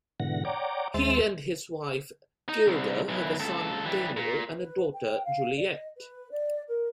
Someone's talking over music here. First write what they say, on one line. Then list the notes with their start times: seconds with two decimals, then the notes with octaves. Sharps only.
He and his wife Gilda have a son, Daniel, and a daughter, Juliet.
0.20 G#2 B2 D3 E3 F#5 A#6
0.45 C#5 D5 F#5 G5 A#5 D6
0.94 D#2 G#3 C5 E5 C6 A6
2.49 D#4
2.67 C2
3.08 B1 E3
3.39 C#2 A4
3.84 E3 G3
4.17 A#2
4.57 B4
4.92 G5
5.25 F5
5.56 D5
5.69 D#5
5.97 B4
6.31 D5
6.68 A#4